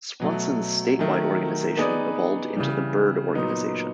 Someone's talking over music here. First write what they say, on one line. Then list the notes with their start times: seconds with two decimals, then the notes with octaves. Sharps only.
Swanson's statewide organization evolved into the Byrd Organization.
0.20 B2 F#3 A3
0.99 D#3 F#3 A3
1.77 B3 D#4 G#4 B4 D5
2.57 C#3 E3 G3
3.35 A#2 F#3 B3 D#4